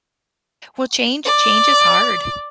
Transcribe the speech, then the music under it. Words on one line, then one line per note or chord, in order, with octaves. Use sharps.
Well, change change is hard.
D5